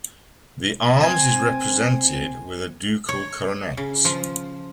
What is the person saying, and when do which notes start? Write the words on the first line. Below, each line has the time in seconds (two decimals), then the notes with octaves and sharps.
The arms is represented with a dukal coronet.
1.01 C4 G#5 G#6
3.09 C#5
3.77 C#3
4.05 F3